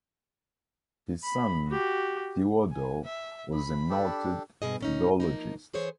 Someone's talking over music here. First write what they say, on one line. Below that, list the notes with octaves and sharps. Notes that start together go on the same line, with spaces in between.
His son Theodor was a noted philologist.
B5
F#4 G4
G#5
E5
B5
D4 G4 A4
G2 B2 G#4 D#5
A#2 C#4 D#4
F3 A#3 D#4
E3 G#4 C5 C#5